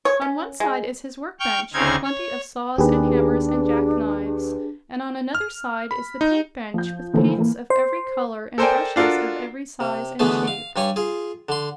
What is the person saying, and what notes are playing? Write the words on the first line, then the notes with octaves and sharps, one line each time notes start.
On one side is his work-bench, with plenty of saws and hammers and jack-knives; and on another side is the paint-bench, with paints of every color and brushes of every size and shape.
C#5
C#4
G#3
G5 C#6 F6 G6
D2 C#3 C4 D#4 F6 G#6
C#5
D#2 D4 G4 G#4 B4
F6
B5
D#4
F3 G6
D3 E3 F3 A3 A#3 C4
E3 A#3
C5
A4 A#4 C5 D5 G5 G#5
D4 F4 F#4 A4 A#4
C3
B2 D3 E3 A3 B3 G#4
F5
G2 G3 C#5 G#5 C#6
F4 G#4
D3 C6